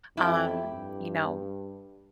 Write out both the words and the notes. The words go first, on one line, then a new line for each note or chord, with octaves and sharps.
um, you know,
F2 E4 G4
G2